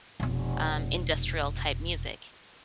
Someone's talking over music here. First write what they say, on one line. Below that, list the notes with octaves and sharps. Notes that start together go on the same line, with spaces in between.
um, industrial type music.
F1 B2